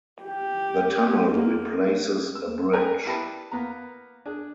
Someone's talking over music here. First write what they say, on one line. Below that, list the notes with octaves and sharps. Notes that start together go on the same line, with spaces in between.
The tunnel replaces a bridge.
G4
A#3
E6
A#4 B4 D5 G5 G#5 A#5
E4 G4 B4 A5 B5
A#3 B3 A#5
D4 G#4